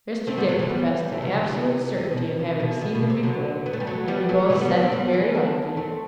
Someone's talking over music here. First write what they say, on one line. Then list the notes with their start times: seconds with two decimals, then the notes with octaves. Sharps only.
Mr. Dick professed an absolute certainty of having seen him before, and we both said, 'Very likely.'
0.27 A3 C4
0.38 G3 B3
0.49 F#3 A3
0.59 E3 G3
0.69 G3 B3
1.12 A3 C4
1.22 C3 E3
1.33 D3 F#3
1.43 E3 G3
1.55 C3 E3
1.97 C3
2.11 B2
2.24 B2
2.39 C3
2.60 B2 D3
2.81 B2 D3
2.95 B2
3.10 C3
3.23 D3 F#3
3.66 B3
3.73 A3
3.80 G3
3.87 F#3 A3
4.08 G3 B3
4.29 F#3 A3
4.50 E3 G3
4.61 G3 B3
4.71 B3 D4
4.82 A3 C4
4.92 G3 B3
5.13 E3 G3
5.35 B3 D4
5.77 A3 C4